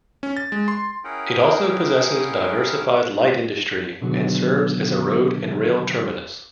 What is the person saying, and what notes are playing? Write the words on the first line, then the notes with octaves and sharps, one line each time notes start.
It also possesses diversified light industry and serves as a road and rail terminus.
C#4
A6
G#3
C6
C#4 E4 G#4 A#4 F#5 G5
B2 D3 D#3 F#3 B3 G#4